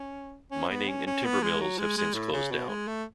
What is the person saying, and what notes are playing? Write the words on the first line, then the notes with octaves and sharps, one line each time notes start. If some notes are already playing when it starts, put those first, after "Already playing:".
Mining and timber mills have since closed down.
Already playing: C#4
C#4
B3
C#4
C#4
B3
G#3
F#3
G#3
G#3
A2
C#3
B2
G#3
A3